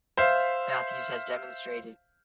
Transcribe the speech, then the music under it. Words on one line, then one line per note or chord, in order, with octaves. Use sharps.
Matthews has demonstrated.
C5 E5 F5